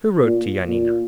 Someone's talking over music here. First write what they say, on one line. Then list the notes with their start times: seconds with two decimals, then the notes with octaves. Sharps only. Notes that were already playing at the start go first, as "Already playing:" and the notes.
"Who wrote to Yanina?"
0.21 A#2
0.68 A#2